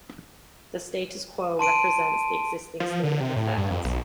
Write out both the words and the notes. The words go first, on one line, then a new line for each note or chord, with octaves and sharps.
The status quo represents the existing state of affairs.
A5 C6 D7 D#7
F3
D3
C3
A2
G2
F2
B1